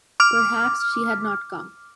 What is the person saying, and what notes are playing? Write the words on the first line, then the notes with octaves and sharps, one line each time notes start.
Perhaps she had not come.
D6 F6